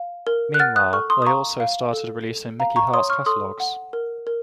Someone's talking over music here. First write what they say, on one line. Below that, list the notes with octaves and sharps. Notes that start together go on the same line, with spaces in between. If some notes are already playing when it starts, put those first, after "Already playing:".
Meanwhile, they also started releasing Mickey Hart's catalogs.
Already playing: F5
A#4
F#6
F#5 F6 A6
D#6 F#6
A4 C#6 F6
C6 D#6
D#6
F5 A#5 C#6
F5
A4
A4
F5 A#5
A#5 C#6
C#5 C6 D#6
C#6 F6
A4 C6 D#6
F#5
A#4
A#4